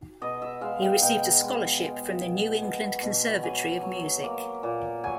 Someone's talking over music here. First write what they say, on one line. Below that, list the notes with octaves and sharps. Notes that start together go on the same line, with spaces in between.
He received a scholarship from the New England Conservatory of Music.
B2 D#5
E5
G#3 F5
G5
B2 G5
G#3
G#3
B2
B2
B2
F#3 G#5
F#3
A#3
A#2
F#3 G#5